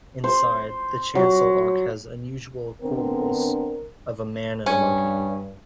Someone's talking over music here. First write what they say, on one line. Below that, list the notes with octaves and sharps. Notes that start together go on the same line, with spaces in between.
Inside, the chancel arch has unusual corbels of a man and a monkey.
C5
F#3
D3 B3 C4 D4 A#4
G2 C#4